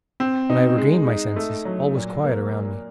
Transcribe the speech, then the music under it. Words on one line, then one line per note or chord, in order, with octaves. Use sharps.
When I regained my senses, all was quiet around me.
C4
D#4
G#3
D#4
A3
F#3
A#2
A#3